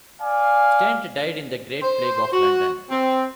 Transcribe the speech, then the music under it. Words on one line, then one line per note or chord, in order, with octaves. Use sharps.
Stent died in the Great Plague of London.
D5 F5 G#5
C5
F#4
C4